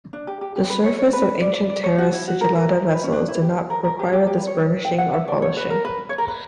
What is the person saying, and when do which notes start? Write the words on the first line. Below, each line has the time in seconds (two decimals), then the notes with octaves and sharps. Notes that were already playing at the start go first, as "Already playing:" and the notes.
The surface of ancient terra sigillata vessels did not require this burnishing or polishing.
0.13 D4
0.27 G4
0.41 G4
0.56 G4
0.70 B4
0.84 C#5
0.99 C#5
1.13 B4
1.41 D5
1.55 D5
1.70 D5
1.84 C#5
1.98 F#4
2.13 E4
2.28 F#4
2.41 A#4
2.56 A#4
2.93 B4
3.03 C#4
3.13 D4
3.28 E4
3.42 G4
3.70 A#4
3.84 A#4
3.99 G4
4.13 G4
4.27 G4
4.38 B4
4.47 C#5
4.85 G5
4.98 F#5
5.13 E5
5.28 D5
5.42 C#5
5.57 B4
5.70 A#4
5.85 B4
6.09 C#5
6.18 A#4
6.28 B4